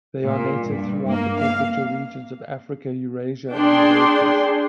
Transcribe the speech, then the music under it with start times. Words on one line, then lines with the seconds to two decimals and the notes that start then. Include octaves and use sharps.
They are native throughout the temperate regions of Africa, Eurasia, and the Americas.
0.25 A#2
0.65 G2
1.06 A#3
1.38 F5
3.52 D4 G#4 G5 C6